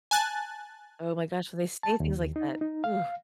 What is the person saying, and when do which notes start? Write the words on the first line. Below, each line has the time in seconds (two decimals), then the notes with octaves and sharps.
Oh my gosh, when they say things like that, ooh.
0.11 G#5 A5 F#6 A6
1.83 A5
2.00 D#2
2.36 D#4
2.61 D#4
2.84 F5